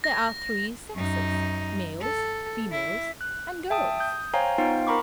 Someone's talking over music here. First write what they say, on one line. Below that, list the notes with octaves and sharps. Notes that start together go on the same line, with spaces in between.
There are three sexes; males, females and girls.
A#6
F#2 D#4
A4
E4
F#6
E5 G5 A5 D#6
D#6 G6
C5 C#5 F5 G5 G#5 A#5
B3 D#4 F4 C5 F5 G5
A#4 A#5 B5 C#6 D6